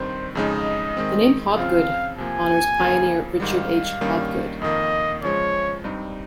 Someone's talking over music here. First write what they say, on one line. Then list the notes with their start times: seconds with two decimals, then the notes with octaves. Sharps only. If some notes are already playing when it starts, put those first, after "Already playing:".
The name Hobgood honors pioneer Richard H. Hobgood.
Already playing: G2 D#3 G3 C4 C5
0.35 F2 C#3 G#3 D#4 D#5
0.97 D#3 G#3 C4
1.57 C#3 F3 C4 F4 F5
2.18 C3 F3 A#3 G#5
2.79 F2 C#3 F3 A#3 F4
3.40 G#2 D#3 G3 F5
4.01 G2 D#3 G3 A#3 C#4
4.62 F2 D#3 A#3 D#5
5.23 C#3 F3 G#3 C#5
5.84 G2 G3 C4 D#4